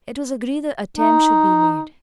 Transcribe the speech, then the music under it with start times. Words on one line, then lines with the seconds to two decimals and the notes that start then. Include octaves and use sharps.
It was agreed the attempt should be made.
0.97 D#4